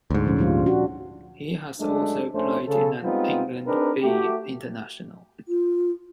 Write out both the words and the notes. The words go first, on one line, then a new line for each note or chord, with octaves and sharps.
He has also played in an England B international.
D2 G#2
A#2 F3 C#4
F3 G3 F4
D4 F#4
F#2 G#3 A3 D4
A#1 A3 C#4 D4 C5
C#3 A4
G3 G#3 B3 C4 D#4 F4
C4 D4 D#4 G#4 A#4 B4
A3 F#4 G4
F4